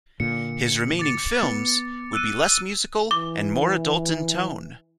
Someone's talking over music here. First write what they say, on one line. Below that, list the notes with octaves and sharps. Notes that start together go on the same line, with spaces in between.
His remaining films would be less musical and more adult in tone.
A#2 D3 C#7
D6 A6 C#7
B3
E6 F#6 D#7
E3 D6